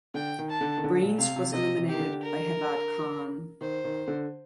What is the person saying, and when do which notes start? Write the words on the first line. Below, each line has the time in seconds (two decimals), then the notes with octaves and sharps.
Brenes was eliminated by Hevad Khan.
0.14 D3 G5
0.39 D#3
0.50 A5
0.61 D3
0.77 D#3
0.84 D3
1.01 A#2
1.18 C3 F5
1.36 C3
1.53 C3 D#5
1.77 C3
1.88 G4
1.93 D#3
1.99 D3
2.23 A#4
3.61 D#3 C5
3.84 D#3
4.08 D3